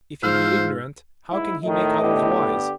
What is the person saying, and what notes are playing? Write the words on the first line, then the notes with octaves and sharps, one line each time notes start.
If He be ignorant, how can He make others wise?
G#2 F4 C5 E6 F6
G#2 E4
A2 D#3 D#5
D3 B3 G4